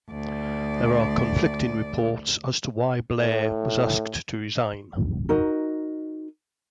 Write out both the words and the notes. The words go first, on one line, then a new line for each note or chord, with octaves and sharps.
There are conflicting reports as to why Blair was asked to resign.
D2 D5
A2
D#4 F#4 A#4 D#5